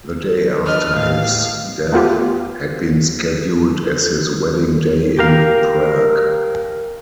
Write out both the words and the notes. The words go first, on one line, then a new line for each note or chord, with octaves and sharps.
The day after his death had been scheduled as his wedding day in Prague.
D4 B4 D#5 F6
A2 F5
A3 B3 F4 G4
G4 A#4 F5